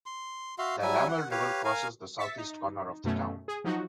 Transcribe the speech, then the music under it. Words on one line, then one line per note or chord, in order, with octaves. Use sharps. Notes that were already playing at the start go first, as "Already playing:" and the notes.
The Lamoille River crosses the southeast corner of the town.
C6
F#4 E5 F5 C6
F#3 G3 E5 G#5
F#5
G4 B4 C#5 F5
A#4 F5 G#5
E5 A6 B6 C#7
D#4
F#2 B2 A3 C#4
G#4
F3 F#3 D#4 F#4